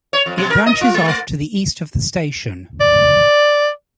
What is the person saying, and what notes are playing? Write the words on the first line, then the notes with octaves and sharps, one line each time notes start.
It branches off to the east of the station.
C#5
F2
B2
A#4
D#5
F4
G#3
A3
D5